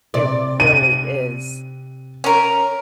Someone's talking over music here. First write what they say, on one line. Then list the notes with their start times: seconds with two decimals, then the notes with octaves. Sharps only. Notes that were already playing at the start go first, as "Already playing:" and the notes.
It really is.
0.14 C3 D5
0.60 D#7
2.24 C#4 A#4